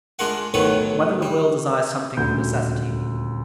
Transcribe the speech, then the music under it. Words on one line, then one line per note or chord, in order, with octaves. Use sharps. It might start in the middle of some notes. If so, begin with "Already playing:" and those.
Whether the Will Desires Something of Necessity?
G#3 D4 F4 A#4 F#5
B1 A2 D#3 F#3 B4 F#5
G3
D#1 D2 G6